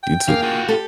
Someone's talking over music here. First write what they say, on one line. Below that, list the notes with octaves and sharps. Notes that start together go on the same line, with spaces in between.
You, too.
G5
A#3 G#4 F5
F4 F#4
G4 A4